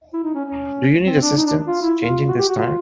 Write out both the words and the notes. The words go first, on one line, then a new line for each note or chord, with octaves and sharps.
Do you need assistance changing this tire?
E4
D#4
C#4
C#4
C4
D4
D#4
D4
F4
E4
F4
F#4
G4
F#4
F4